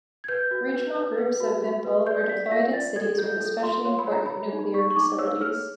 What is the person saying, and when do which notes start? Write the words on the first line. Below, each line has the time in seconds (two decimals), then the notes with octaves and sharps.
Regional groups of Vympel were deployed in cities with especially important nuclear facilities.
0.24 G#6
0.28 B4 G6
0.51 F#4
0.74 B4
0.96 B4
1.18 B4
1.40 F#4
1.63 F#4
1.85 B4
2.07 D5 G6
2.29 D5 B6
2.46 B6
2.51 F4 A#6
2.73 D5 A6
2.96 A4 G#6
3.18 F4 G6
3.41 A4
3.63 F4 C6
3.85 C#5 C6
3.99 B5
4.07 C#5 A#5
4.26 G#4 B5
4.52 D#4
4.74 G#4 C#6
4.90 C#6
4.96 D#4 D6
5.18 C#5 E6
5.41 G#4 F6